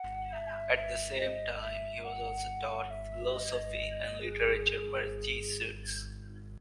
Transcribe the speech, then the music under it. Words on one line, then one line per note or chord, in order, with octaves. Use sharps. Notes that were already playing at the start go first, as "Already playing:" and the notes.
At the same time he was also taught philosophy and literature by Jesuits.
Already playing: F#5
E5
E5
D#5
D#5
E5
F#5
E5
D#5
G#4